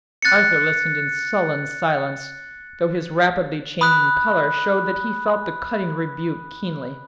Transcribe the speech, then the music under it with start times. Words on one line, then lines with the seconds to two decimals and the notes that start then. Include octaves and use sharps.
Arthur listened in sullen silence, though his rapidly changing color showed that he felt the cutting rebuke keenly.
0.22 F#6 A6 C#7
3.81 B5 D#6 F#6